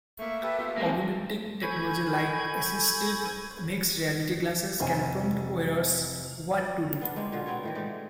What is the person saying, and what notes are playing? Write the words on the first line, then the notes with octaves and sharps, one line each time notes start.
Augmenting technology like assistive mixed reality glasses can prompt wearers what to do.
A3 A#3 E5 C#6
G4 A4 B4
B3 F4 G4
F#3 G#3 A#3 C4 F4
A4 G#5 B5 C#6 G6 G#6
F1 C5 G#5
B3 D4
G#3 A#3 C4
A#2 D3 F4 F#4
B3 C4 A#4 C#5
A2 D#3 E3
G#3 D#4 G4 D5